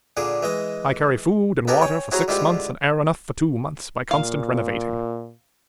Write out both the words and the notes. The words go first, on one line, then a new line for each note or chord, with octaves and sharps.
I carry food and water for six months and air enough for two months by constant renovating.
A#2 D3 G#4 D6
E3 G#3 D#5
B3 D#4 G4 A4 A#4 G#5
C#5 G5 G#5
E4 F#4 G#4 C5 C#5 A#5
D3 G#3 E4 F4 G4 C5
A#2 F5